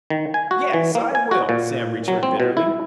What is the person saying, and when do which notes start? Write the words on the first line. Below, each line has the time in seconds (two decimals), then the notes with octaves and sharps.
"YES, I will!" Sam returned bitterly.
0.10 D#3
0.34 G#5
0.51 F#4
0.74 E3
0.95 A#3
1.15 G#5
1.31 F#4
1.49 A#2
2.08 F#3
2.23 C4
2.40 B2
2.57 E4